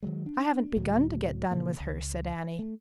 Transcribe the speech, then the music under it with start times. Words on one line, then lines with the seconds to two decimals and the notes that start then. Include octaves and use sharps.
"I haven't begun to get done with her," said Annie.
0.03 D#3 E3 F#3 G#3
0.26 D4
0.77 C#2 A2 D3 F#3
1.51 A#2 C#3 E3 A#3
1.80 C#2
2.59 A3